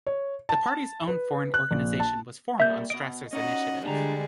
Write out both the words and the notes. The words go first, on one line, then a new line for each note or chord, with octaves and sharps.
The party's own foreign organization was formed on Strasser's initiative.
C#5
A5
B4
F#6
A#1
A5
G3 A#3 E5 G6
B2 D#5 D7
C#4 D#4 F#4 D#5 F#5
D3 G3 G#3 D4 A#5